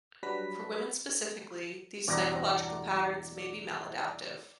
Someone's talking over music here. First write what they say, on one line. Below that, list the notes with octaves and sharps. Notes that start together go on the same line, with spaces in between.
For women specifically, these psychological patterns may be maladaptive.
F#3 G3 D4 B4 A#6 B6
E2 G2 B2 D5 A#5